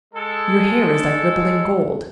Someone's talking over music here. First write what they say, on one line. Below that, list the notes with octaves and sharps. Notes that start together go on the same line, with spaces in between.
Your hair is like rippling gold.
G#3 A4